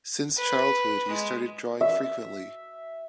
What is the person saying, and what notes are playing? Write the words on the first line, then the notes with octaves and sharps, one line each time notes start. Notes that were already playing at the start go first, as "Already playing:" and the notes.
Since childhood he started drawing frequently.
B4
G#3
E5